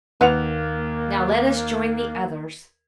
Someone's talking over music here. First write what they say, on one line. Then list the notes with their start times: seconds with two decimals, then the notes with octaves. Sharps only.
Now let us join the others.
0.21 D#2 A#3 B4 F#5 F7